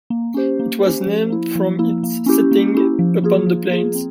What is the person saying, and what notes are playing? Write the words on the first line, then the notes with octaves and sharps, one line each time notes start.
It was named from its setting upon the plains.
A#3
C#4 G4 C5
A#3
C#4 G4 C5
F3
A#3 E4
F3
A#3 E4
A#3
C#4 E4 G4
A#3
C#4 E4 G4
F3
A#3 F4 G#4
F3
A#3 F4 G#4
C4